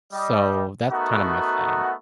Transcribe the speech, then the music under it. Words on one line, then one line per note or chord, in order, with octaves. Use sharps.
so that's kinda my thing.
G3 D#5
A3 B3 D#4 F#4 A#4 F#5